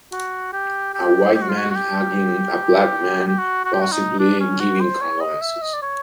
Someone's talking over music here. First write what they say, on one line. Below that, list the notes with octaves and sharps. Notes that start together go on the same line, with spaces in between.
A white man hugging a black man possibly giving condolences.
F#4
G4
G4
G4
F#4
F4
F#4
F#4
G4
G4
F#4
F#4
G4
F#4
D#4
D4
C#4
F#4
C5
C#5
D#5
E5
D#5
D5
C#5